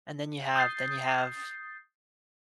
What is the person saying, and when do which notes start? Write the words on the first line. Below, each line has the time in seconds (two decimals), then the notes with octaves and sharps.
And then you have then you have
0.56 D#6 G6 A6 C7